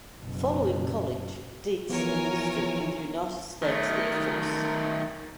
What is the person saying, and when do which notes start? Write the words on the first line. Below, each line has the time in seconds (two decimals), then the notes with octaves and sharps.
Following college, Deetz enlisted in the United States Air Force.
0.20 F#1 B2
1.89 E3 F3 B3 A#4 C#5 G#5
3.63 D#3 A3